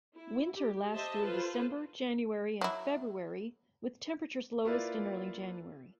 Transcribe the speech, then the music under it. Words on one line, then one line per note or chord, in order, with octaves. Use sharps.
Winter lasts through December, January and February, with temperatures lowest in early January.
E4
G4
G4 C5 D#5 E5 A5
F4 A4 B4 C5
F#3 E4
A#3 E4 F4 B4 D5